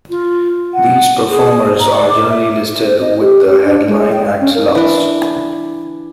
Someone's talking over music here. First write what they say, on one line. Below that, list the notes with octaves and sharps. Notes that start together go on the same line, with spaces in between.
These performers are generally listed with the headline act last.
F4
F#5
G#4
A#5
D5
D6
E5
C5
D#5
G4
G4
D4
G#3
G5
F5
C#4
A#4
E3 D4